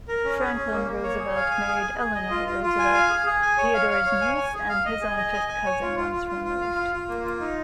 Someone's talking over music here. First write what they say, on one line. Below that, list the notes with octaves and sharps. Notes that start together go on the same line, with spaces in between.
Franklin Roosevelt married Eleanor Roosevelt, Theodore's niece and his own fifth cousin once removed.
A#4
C#4
G#4
C#4
A#3
A#3
C#5
G#4
F5
G#5
G#4
G#4
G#4
D#5
F4
F4
F4
G#5
F5
G#4
G#4
G#5
C#5
F5
F5
C#5
G#5
G#5
G#4
F5
D#5
G#4
D#5
G#5
G#5
C#5
F4
F4
F4
F4
F4
F5
F4
F4
A#3
F4
D#4